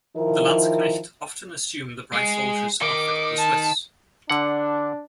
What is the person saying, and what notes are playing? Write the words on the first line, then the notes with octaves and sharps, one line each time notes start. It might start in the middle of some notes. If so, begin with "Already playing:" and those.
The Landsknecht often assumed the bright soldier's outfits of the Swiss.
D#3 F3 E4 A#4
G#3
D#3 D#4 D6
A5
D3 D4 F#5